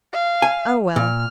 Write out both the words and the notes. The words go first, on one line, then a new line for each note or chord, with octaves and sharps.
Oh, well!
F5
G#5
A#2 F6